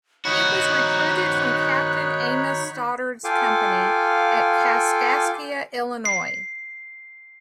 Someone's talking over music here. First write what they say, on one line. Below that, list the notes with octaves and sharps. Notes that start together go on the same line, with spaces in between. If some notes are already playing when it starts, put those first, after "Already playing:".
He was recruited from Captain Amos Stoddard's Company at Kaskaskia, Illinois.
D#3 D#4 F#4 C#5 B5 F#6
F4 A4 F5 G5 G#5 D6
C7